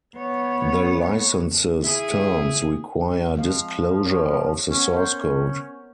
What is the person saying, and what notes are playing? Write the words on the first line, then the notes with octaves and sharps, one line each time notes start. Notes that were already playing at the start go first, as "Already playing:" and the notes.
The license's terms require disclosure of the source code.
B3 C#5
E4 G#4
F3 G#3 C4 F5
G4 A#4 C#5
B3 C#4
C#4 A#4 C5 C#5